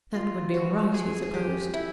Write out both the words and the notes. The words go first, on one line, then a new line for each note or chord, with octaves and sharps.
That would be all right, he supposed.
F4
F#4
G#4
G#4
G4
E4